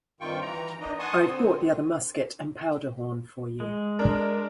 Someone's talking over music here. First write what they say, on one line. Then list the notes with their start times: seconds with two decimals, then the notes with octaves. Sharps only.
I've brought the other musket and powder-horn for you.
0.20 G2 C3 D#3 F4 G5 C#6
0.41 E3 A#5
0.80 A#3 D4 D#4 D#5
0.99 F#5 G#5 A5 C6 C#6 D#6
1.22 D3 C4
3.60 G#3
3.99 D4 A#4